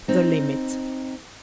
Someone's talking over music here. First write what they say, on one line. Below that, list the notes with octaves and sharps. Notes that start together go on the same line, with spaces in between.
The limit.
C4 D#4